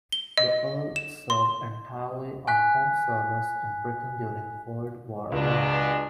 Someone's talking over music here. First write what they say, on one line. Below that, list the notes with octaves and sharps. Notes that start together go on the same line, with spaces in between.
The Earl served entirely on home service in Britain during World War One.
G7
D#5
E7
C6
G#5 F#6 B6
C#2 B2 G#3 D4